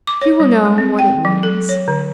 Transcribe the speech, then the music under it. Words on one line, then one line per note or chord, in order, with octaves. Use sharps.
He will know what it means.
D6
C#5
G3
G#3
C4
G5
F#3
A4
C#5
D3